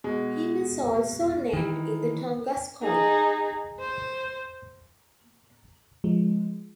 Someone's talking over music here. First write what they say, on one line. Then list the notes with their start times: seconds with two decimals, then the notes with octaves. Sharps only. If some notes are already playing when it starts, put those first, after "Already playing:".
He was also named in the Tonga squad.
0.04 B2 G#3
1.53 D#3 E3
2.82 D#4 G#4
3.80 C5
6.04 F3 G#3